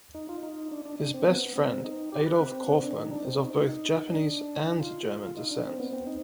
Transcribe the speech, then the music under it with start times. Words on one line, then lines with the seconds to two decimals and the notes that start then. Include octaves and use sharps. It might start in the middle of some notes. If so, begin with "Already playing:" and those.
His best friend Adolf Kaufmann is of both Japanese and German descent.
0.15 D#4
0.29 F4
0.43 D#4
0.71 D4
0.86 D4
1.00 D4
1.14 C4
1.28 B3
1.56 C4
1.84 D#4
2.12 G4
2.26 B4
2.40 C4
2.68 C4
2.83 D4
2.97 D#4
3.11 D4
3.25 C4
3.39 D#4
3.53 D#4
4.10 D4
4.66 D#4
4.80 F4
5.22 F4
5.37 D#4
5.51 D4
5.65 C4
5.80 B3
5.93 C4
6.07 D#4